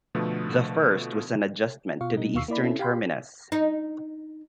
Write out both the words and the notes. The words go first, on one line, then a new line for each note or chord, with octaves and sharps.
The first was an adjustment to the eastern terminus.
B2 D3 F3 A3 B3
B2 F4 F5 C#6
B2 G3 D#4
D#2 D#3 F5 C#6 E6 C7
A#3 E4 D5 B5
C4 C#4 E4 A4
G4 F5 G5 B5 C6
D#4